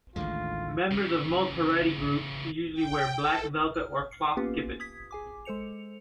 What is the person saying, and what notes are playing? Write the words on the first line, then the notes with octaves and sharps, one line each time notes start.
Members of most Haredi groups usually wear black velvet or cloth kippot.
A1 D#2 A2 D3 D#3 G#3 F4
C#3 E3
G5
A4
F6
C7 C#7
A#3 B3 C#4 F4 G4 B4
D#6 G#6 B6
G#4 G#5 D6
G#3 A4 C5 C#7 F7